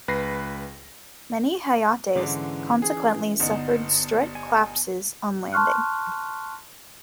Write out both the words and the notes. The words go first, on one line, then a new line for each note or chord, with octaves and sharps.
Many "Hayates" consequently suffered strut collapses on landing.
C#2 B4 B5 A#6 C7
G#2 D3 E3 C#4 D6
G#4
G1 B3 D#4
G#5
A5 C6 C#6 F6 F#6